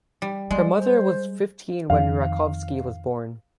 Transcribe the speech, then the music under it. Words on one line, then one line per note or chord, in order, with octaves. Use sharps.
Her mother was fifteen when Rakovsky was born.
G3
G3 G#3 D5
C5
F2 D#3 F5